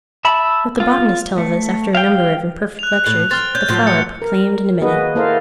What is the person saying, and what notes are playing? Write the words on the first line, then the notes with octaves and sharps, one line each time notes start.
What the botanist tells us after a number of imperfect lectures, the flower proclaimed in a minute.
E5 A5 B5
F4
A3
F5 G5
F#6 F7
A2
C4 F6 A6
C#4 G6
A2 F3 F#3
C#7
A#4
D#3 A#3 F#4 G#4 B4 D#5
A#3 E4 A4 A#4 C5 F5